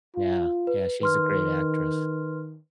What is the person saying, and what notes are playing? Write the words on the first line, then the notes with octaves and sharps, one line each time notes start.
Yeah, yeah, she's a great actress.
F4
B4
D#3 B4 C6 F6